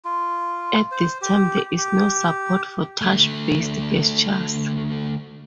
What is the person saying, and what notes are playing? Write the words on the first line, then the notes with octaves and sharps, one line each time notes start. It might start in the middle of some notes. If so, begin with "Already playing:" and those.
At this time, there is no support for touch based gestures.
F4
C5
G4
G4
D3 A3